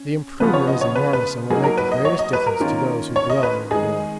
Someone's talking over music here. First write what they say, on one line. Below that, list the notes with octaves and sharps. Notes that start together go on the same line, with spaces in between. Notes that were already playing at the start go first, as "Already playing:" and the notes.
The improvement is enormous and will make the greatest difference to those who dwell near the door.
Already playing: C#4
C#3 F3 B3 F4 B4
C#5
D#5
C#5
B4
B4
F#3 A#3 D#4 G#4
A#4
B4
D#5
C#5
D#5
B4
A#4
D#3 A#3 C#4 F4
C#5
D#5
B4
D#3 G#3 D#4 G#4